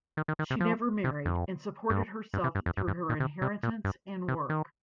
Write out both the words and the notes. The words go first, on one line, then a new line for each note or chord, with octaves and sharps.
She never married and supported herself through her inheritance and work.
D#3
D#3
D#3
C3
F3
C3
F2
G2
G2
C3
G2
F2
G2
G2
A#2
C3
C3
A#2
G2
C3
D#3